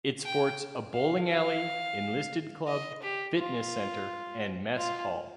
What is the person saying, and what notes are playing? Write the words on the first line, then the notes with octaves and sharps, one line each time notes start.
It sports a bowling alley, enlisted club, fitness center, and mess hall.
G5
F5
F5
D#5
G4
F4
F4